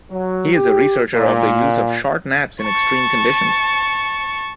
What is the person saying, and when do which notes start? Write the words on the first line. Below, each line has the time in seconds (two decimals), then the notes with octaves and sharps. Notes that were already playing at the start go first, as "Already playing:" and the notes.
He is a researcher of the use of short naps in extreme conditions.
0.11 F#3
0.53 G4
1.13 A#2
2.63 A5 C#6